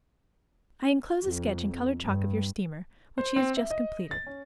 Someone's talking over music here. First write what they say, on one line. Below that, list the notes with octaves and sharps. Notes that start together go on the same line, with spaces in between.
I inclose a sketch in colored chalk of your steamer, which he has just completed.
F2
G2
C5
C4
E5
D#5
A6
C#4